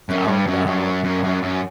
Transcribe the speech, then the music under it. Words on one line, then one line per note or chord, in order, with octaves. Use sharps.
found out, um,
F#2
G2
F#2
F#2
F#2
F#2
F#2